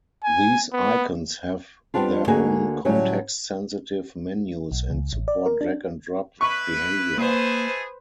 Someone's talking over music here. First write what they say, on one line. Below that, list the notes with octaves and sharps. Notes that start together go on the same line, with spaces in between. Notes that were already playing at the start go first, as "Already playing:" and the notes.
These icons have their own context-sensitive menus and support drag and drop behaviour.
G#5
B3
G3 B3 C4 D4 F4
D2 D3 A#3 F#4 G#4 G#5
D2 A2 F#3 G3 C#4
B1
C#2
A1
D5
A#4
D4
E4 B4 C#6
A3 A#3 G#4 B4 C5